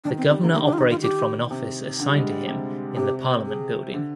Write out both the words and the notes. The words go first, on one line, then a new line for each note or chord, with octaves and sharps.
The Governor operated from an office assigned to him in the Parliament Building.
D#3 D4
C4
G3 C4
D3 A#3
D#3 A#3
D4
F4
D#4
F4
G4
C3
D3
G3
G#3
G3
C3
C3 G4
G#4
D3